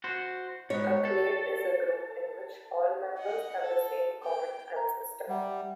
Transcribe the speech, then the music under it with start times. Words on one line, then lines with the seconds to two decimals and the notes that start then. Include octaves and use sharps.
A clade is a group in which all members have the same common ancestor.
0.04 F#4 C5
0.70 G#2 B3 C#5
1.05 A4
3.18 D#5 F#5
3.62 A4
4.23 G5
4.76 A#5
5.29 G3 E5 F#5